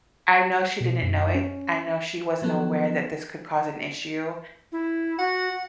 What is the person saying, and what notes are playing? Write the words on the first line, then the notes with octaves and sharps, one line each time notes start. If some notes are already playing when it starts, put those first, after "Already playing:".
I know she didn't know it, I know she wasn't aware that this could cause an issue.
B2
F#2
C#4
F3 F#3 B3 C#4 A4
E4
F#4 F#5